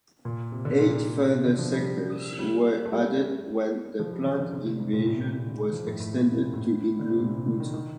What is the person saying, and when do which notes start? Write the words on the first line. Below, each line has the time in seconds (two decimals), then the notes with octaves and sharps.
Eight further sectors were added when the planned invasion was extended to include Utah.
0.25 A#2
0.52 C3
0.65 D3
0.79 A#2
1.32 C3
1.45 D3
1.59 F3
1.72 G3
2.39 G3
2.85 A3
2.92 G3
3.99 F3
4.13 G3
4.26 F3
4.40 D3
4.53 C3
4.66 D3
4.80 C3
4.93 A#2
5.06 A2
5.20 A#2
5.34 A#2
5.47 D3
5.60 D#3
5.73 F3
5.87 A2
6.00 A2
6.13 A#2
6.27 A#2
6.40 A#2
6.53 A2
6.99 D3
7.10 C3
7.20 A#2
7.34 C3
7.47 D3
7.60 D#3
7.73 D#3